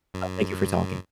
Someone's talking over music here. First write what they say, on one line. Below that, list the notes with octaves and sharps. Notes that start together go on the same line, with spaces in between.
uh, thank you for talking.
F#2